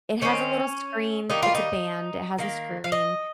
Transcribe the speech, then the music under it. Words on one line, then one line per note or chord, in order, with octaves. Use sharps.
it has a little screen, it's a band, it has a screen.
D#3 G#3 C4 C#4
D#3 G3 A#3 D#4
F4
D#4
D#3 A#3
F5
D#5